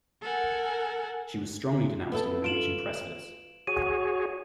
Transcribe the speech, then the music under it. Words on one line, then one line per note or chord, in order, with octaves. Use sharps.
She was strongly denounced in the Norwegian press for this.
A4 A#4 F#5 G#5
B3 E4 A4
F4 D7 E7 F#7
F#4 G#4 C#5 D#7